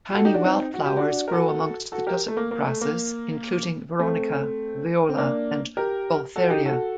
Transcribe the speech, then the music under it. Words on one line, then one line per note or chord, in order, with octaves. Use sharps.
Tiny wildflowers grow amongst the tussock grasses including "Veronica", "Viola" and "Gaultheria".
G4
F#4 A4
D#4 G4
D4 F#4
C4 D#4
F#4
G4
D4 F#4
A#4
F#4 A4
F#4 A4
G4 A#4
A3
A#3
A#3
A3
A#3
A3 C4
C4
A#3 D4
G4 A#4
F#4 A4
D#4 G4
F#4 A4